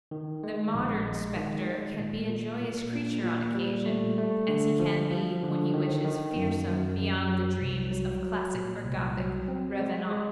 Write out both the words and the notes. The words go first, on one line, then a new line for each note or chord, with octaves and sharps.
The modern specter can be a joyous creature on occasion, as he can be, when he wishes, fearsome beyond the dreams of classic or Gothic revenant.
D#3
G#3
A#1
G#3
D#3
G#3
A#2
A#2
A#2
A#2
A#2
G3
A3
A3
D3
F3
F3
D3
D#3
D#3
F#2
F#2
F#2
F#3
C2
F#3
F#3
A#2
C2
F#3
C4
G#3
G#3